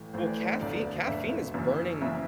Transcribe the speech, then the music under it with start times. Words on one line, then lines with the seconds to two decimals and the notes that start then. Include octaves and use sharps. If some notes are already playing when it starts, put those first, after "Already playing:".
Well, caffei caffeine is burning
Already playing: A1 A2 E3
0.13 A1 A2 E3 C5
0.27 D5
0.41 C5
0.60 E1 D2 D3 D5
1.07 E1 D2 D3 E5
1.54 F#1 F#2 E3
2.01 F#1 F#2 E3 E5